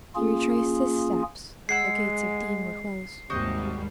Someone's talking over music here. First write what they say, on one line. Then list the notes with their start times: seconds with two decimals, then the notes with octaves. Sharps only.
He retraced his steps; the gates of D---- were closed.
0.16 A#3 C#4 F4 G#4
1.69 G#3 G#4 F#5 E6 C7
3.30 D#2 G#2 C3 G3 F#4 C5 D#5